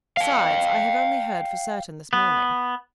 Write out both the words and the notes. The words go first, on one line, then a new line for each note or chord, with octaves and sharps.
"Besides, I have only heard for certain this morning."
F5 G5
B3